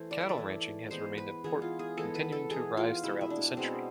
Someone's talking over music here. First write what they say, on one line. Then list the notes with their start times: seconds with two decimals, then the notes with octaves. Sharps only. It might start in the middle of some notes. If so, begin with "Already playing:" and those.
Cattle ranching has remained important, continuing to rise throughout the century.
Already playing: E3 A3 C5
0.11 D5
0.21 E5
0.29 D5
0.38 E3 A3
0.91 E3 G#3 B3 C5
1.18 B4
1.44 E3 G#3 B3 G#4
1.62 F4
1.79 G#4
1.97 E3 G#3 B3 A4
2.15 B4
2.32 A4
2.51 E3 G#3 B3 G#4
2.77 F4
3.03 B2 G#3 B3 E4
3.21 E4
3.30 D4
3.57 B2 G#3 B3 C4